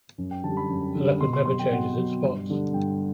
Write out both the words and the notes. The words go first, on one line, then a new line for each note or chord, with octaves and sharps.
A leopard never changes its spots.
F#2
G5
D3 G3 A5
B5
F#2
D3 G3
B2 C6
C6
F#3 C6
G5
B2 F#5
F#3
G2
D3 G3
G2 G5